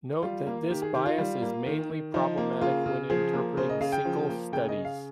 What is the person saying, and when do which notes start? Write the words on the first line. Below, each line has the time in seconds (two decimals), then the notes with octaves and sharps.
Note that this bias is mainly problematic when interpreting single studies.
0.23 G3 F4
0.47 A#3
0.70 D#3 G4
0.82 G#4
0.94 D#3 G4
1.06 F4
1.18 G3
1.42 A#3
1.67 D#3
1.90 D#3
2.14 F3 D#4
2.37 A#3
2.61 C#3 F4
2.86 C#3
3.10 F3 G#4
3.33 A#3
3.57 C#3 C5
3.69 D#5
3.81 C#3 F5
3.92 G5
4.05 F3
4.29 A#3
4.52 C#3 G5
4.69 D#5
4.77 C#3
4.85 F5